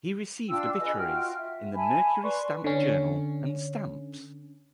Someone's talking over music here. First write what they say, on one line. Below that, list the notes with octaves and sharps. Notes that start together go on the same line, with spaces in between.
He received obituaries in the "Mercury Stamp Journal" and "Stamps".
D4 F4 G5 E6
G#4 B4 D#5 G#5
F4 F#4 G5 F6
E5
E5 G#5 A5 B5
B4 D5 C6 C#6
D3 C#4